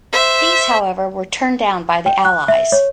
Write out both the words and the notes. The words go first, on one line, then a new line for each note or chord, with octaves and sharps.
These, however, were turned down by the Allies.
C5 E5
G5
F#6
E5
C#5